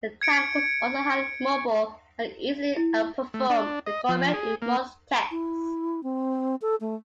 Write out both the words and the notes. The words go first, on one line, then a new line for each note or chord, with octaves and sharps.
The tank was also highly mobile, and easily outperformed the Comet in most tests.
G#6 C#7 D7
E4
A3
D4
D#5
F3
G#4
A#3
E4
C4
A4
A3